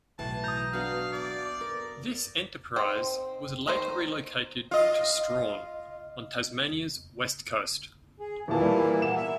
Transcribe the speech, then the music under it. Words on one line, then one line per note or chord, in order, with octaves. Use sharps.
This enterprise was later relocated to Strahan, on Tasmania's west coast.
B1 A2 E3 A5
A#5 D#6 G6
B3 D4 F#4 F5
D5
A#4
C4 D#4
D#3 D#4 C5
F4 D#5
G#4
D#1 E2 E3 A#3 E4 A5
A#2 G3
A#3 B3 E7
E5